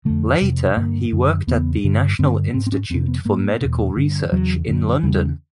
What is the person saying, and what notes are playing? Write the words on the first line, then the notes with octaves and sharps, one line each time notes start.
Later he worked at the National Institute for Medical Research in London.
F2 D3 A3
F2 C3
G2 D3 A#3
F#2 D3
E2 C#3 B3
G2 D3
G2 D3 C4
G#2 C4
C4
C#4
F2 C3 C4
B3
G#2 A#3
E2 B2
G2 D3
E2 C#3 F#3
F#2 D3
E2 C#3 G3